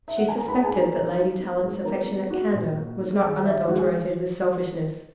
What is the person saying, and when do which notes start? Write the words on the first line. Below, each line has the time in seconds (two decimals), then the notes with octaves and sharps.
She suspected that Lady Tallant's affectionate candour was not unadulterated with selfishness.
0.08 E5
0.17 F#5
0.28 G#5
0.38 A#5
0.48 A#3 B4 B5
0.63 G#4 G#5
0.71 D#4
0.79 A#4 A#5
0.94 D#4
1.17 D#4
1.40 B3
1.63 G#3
1.85 B3 A#4 A#5
2.08 B3
2.30 B3 F#4 F#5
2.53 A#2
2.76 A#3
2.99 D#4
3.22 D#3 G#4 G#5
3.45 D#3 E5
3.67 G#3 F#4 F#5
3.79 G#4